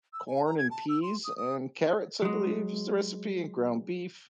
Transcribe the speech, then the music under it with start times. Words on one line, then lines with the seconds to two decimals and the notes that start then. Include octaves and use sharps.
corn and peas and carrots, I believe, is the recipe and ground beef.
0.13 E6
0.27 G#5
0.45 A#5
0.58 G#6
0.71 A5
0.89 E6
1.02 C6
1.24 D#6
1.37 D#6
2.22 F#3 G#3